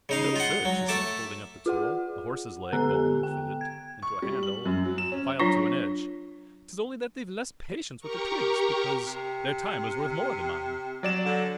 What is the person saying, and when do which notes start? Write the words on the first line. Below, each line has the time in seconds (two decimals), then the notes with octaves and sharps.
"No, sir," she said, holding up the tool--a horse's leg-bone fitted into a handle and filed to an edge--"'tis only that they've less patience with the twigs, because their time is worth more than mine."
0.09 C#3 D#4 F5
0.36 F4 F#5
0.65 F#3
0.88 A3 A5 D6
1.66 F4 G#4 F#5
2.73 D3 B3 G4 A4 A#5 F#6
3.23 G5
3.61 G#6
4.02 C#6
4.22 G3
4.43 F#7
4.65 F#2
4.85 F#3
4.98 E7
5.12 C#4
5.40 F#3 D4 F4
8.00 G4 A#4 A#5 C#6
9.06 C3
11.03 F#3 D5 E7
11.25 D3